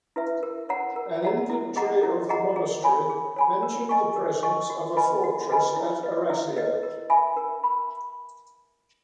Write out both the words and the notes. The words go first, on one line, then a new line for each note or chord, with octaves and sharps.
An inventory of the monastery mentioned the presence of a fortress at Arasio.
E4 B4 E5
A#4
C#5 F#5 A#5
A#4
C#5 F#5 A#5
E4
G#4 D#5 F#5 A#5
E4
G#4 D#5 F#5 A#5
G#4
C#5 G#5 B5
G#4
C#5 G#5 B5
A#4
D#5 G#5 C#6
A#4
D#5 G#5 C#6
F#4
B4 D#5 G#5 B5
F#4
B4 D#5 G#5 B5
E4
B4 D#5
E4
B4 D#5
A#4
E5 G#5 B5
A#4
B5